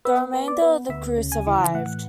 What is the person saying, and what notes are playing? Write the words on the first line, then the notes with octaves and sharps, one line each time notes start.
The remainder of the crew survived.
B3 E5
B3
D5
B3
D2 E5
C#3
G#5
E3
A2 F#5